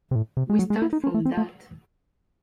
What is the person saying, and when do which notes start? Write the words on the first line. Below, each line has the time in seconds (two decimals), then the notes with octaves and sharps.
We start from that.
0.11 C3
0.15 A2
0.37 C3
0.50 G#3
0.59 F#3
0.70 G#3
0.82 E4
0.93 D#4
1.04 C#4
1.14 A3
1.25 C4
1.37 A3